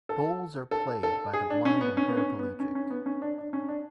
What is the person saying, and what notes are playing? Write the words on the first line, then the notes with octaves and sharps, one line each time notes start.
Bowls are played by the blind and paraplegic.
A4
A4
A4
G#4
D4
C#4
B3
C#4
B3
C#4
B3
C#4
C#4
B3
C#4
D4
D4
C#4
D4